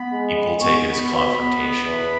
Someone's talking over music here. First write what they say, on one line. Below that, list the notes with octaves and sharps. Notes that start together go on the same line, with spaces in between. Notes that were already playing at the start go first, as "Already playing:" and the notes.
people take it as confrontational,
Already playing: B3 B5
G#3
G#3
B3 C#6
B3
B5
B2 B5
B3
B3
E2